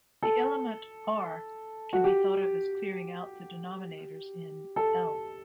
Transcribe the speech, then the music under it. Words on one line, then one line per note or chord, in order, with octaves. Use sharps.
The element "r" can be thought of as clearing out the denominators in "I".
A4
F#4
G4
A4